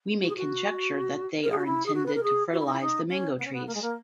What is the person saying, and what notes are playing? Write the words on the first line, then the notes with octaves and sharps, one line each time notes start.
We may conjecture that they are intended to fertilize the mango trees.
F#4
G#4
F#4
A#4
G#4
F#4
E4
G#4
F#4
B4
A#4
G#4
F#4
E4
D#4
E4
D#4
C#4
B3
C#4
B3
A#3
G#3
A#3